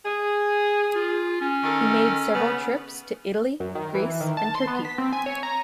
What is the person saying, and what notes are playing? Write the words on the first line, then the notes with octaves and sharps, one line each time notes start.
He made several trips to Italy, Greece and Turkey.
G#4
F4
C#4
D#3 A4 A#4
C#3 B3
F#2
D#3
E3
D#3
A5
C6
B3
B6
C4
G#5
C#5
A#5